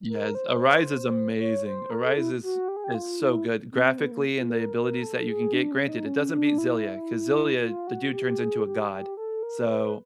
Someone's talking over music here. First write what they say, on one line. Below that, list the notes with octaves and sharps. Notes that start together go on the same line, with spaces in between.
Yes, Arise is amazing. Arise is is so good graphically and the abilities that you can get, granted, it doesn't beat Xillia 'cause Xillia, the dude turns into a god, so
A#4
C5
C#5
C5
A#4
A4
E4
F#4
G4
G#4
G4
F4
E4
C4
B3
A#3
F4
A#4
A#4
A4
G#4
D4
C#4
D#4
C#4
D4
E4
F4
F#4
G4
G#4
G4
G4
A4
A#4
B4